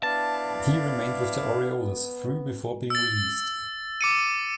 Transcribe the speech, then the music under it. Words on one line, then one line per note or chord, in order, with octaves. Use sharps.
He remained with the Orioles through before being released.
B3 D4 E4 F5 A5
E6 A6
D6 C#7 D#7